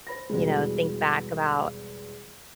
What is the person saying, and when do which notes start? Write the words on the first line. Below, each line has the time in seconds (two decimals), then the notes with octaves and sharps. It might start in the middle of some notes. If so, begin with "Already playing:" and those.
you know, think back about
0.07 C5 B5 A#6
0.30 E2 B2 G3 G#3